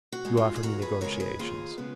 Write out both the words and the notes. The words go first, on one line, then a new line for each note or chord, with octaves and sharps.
You offer me negotiations!
F#4
G#3 D#4
F4 G#4
G#4
D#2 F#4 A#4
G#4 B4
C#3 G#3 B3 A#4 C#5
G#4 B4
D#2 F4 G#4
C#3 G#3 B3